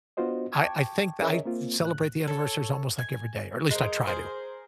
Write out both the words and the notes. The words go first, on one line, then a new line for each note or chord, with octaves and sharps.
I I think that I celebrate the anniversaries almost like every day, or at least I try to.
B3 D4 F4 F#4 C5 D#5
G5 A5 C#6 D6 G#6
C#4 G#4 A#4 C#5 D#5 E5
A#3 C4 F4
A2 F#6
A4 C#5
G#5
G#3 A#4 C5
G#4 A#4 C5